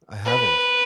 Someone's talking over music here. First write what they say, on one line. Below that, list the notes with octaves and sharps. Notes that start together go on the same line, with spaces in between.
I haven't.
B4